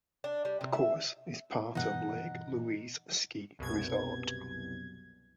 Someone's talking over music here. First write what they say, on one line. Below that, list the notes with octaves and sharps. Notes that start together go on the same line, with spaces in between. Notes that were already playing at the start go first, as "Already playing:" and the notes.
The course is part of Lake Louise Ski Resort.
D4
G3
C3
E5
G2 B2 E3 D#4 F#5
C2 F#2 B2 G#6